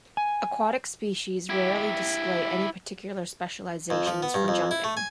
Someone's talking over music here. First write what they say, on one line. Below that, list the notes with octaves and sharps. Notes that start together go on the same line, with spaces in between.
Aquatic species rarely display any particular specializations for jumping.
G#5
E4 G4
F2
F3
B3
G2
F2
E4
A3
G#5